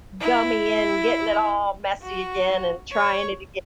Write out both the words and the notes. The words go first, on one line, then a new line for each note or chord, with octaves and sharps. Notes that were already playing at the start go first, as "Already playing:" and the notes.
gummy and getting it all messy again and trying it again
E4
F#4
C#5